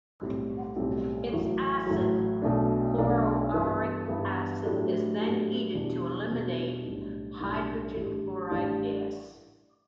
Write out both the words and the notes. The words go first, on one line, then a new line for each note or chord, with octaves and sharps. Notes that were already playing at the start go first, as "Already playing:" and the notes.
Its acid, chloroauric acid, is then heated to eliminate hydrogen chloride gas.
B1 A2 G3 C4
B1 A2 G3 C4
A1 A2 F#3
A1 A2 F#3
B1 B2 A3 D4
B1 B2 A3 D4
G2 E3 B3 E4
G2 E3 B3 E4
A2 F#3 A3 D4 G4
A2 F#3 A3 D4 G4
E2 B2 G3 D4
E2 B2 G3 D4
B1 A2 G3 D4
B1 A2 G3 D4
A1 A2 G3 D4 G4
A1 A2 G3 D4 G4